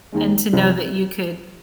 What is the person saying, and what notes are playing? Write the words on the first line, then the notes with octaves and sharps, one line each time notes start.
and to know that you could
D#2 D#3 G#3
C2 C3 F3